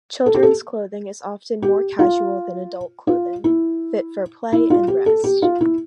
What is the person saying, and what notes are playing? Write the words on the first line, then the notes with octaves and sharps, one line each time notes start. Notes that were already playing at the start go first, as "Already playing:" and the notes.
Children's clothing is often more casual than adult clothing, fit for play and rest.
A4
G4
A4
G4
F4
F4
E4
E4
F4
G4
A4
G4
F4
E4